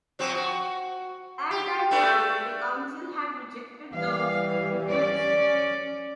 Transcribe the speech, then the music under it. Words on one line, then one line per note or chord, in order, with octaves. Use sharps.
At that time the Council had rejected the request.
F3 F#3 C4
F#4
G4
A3 D4 B4
E3 G3 F5
C#4 D5